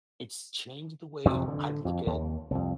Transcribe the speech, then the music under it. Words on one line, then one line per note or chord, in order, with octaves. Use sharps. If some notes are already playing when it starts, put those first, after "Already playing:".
it's changed the way I'd look at
F2 C3 F3 F#3
D3
F2
D#2
C2 F2